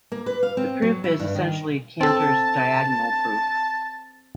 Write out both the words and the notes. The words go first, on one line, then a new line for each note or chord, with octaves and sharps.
The proof is essentially Cantor's 'diagonal' proof.
A#3
B4
F5
C4
F#3
E4
G2
D#3
C4 A4 A5